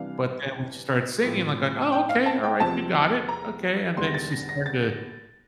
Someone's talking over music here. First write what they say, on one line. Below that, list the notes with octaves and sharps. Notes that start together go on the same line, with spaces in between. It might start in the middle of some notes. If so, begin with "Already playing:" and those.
But then when she started singing, like going, "Oh, okay, all right, you got it. Okay," and then she started to
Already playing: C3 E3 G3 D4 F5
A2 F3 C4
G5
F5
A5
G5
E2 C3 F3 C4 A5
A#5
E2 D3 G3 C6
A#6
A6
A#6
A#6
A6